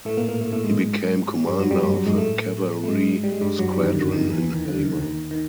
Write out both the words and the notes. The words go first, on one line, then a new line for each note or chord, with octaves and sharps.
He became commander of a cavalry squadron in Hama.
A2 A3
A#2 A#3
A#2 A#3
A2 A3
A2 A3
G#2 G#3
G2 G3
F#2 F#3
G2 G3
G2 G3
F#2 F#3
G#2 G#3
A2 A3
A3
G#2 G#3
G3
G#3
G2 G3
F#2 F#3
G2 G3
D#2 D#3
D3
D#2 D#3
E2 E3
E2 E3
D#2 D#3
D3
C#3
D#3
D3
D#2 D#3
D#3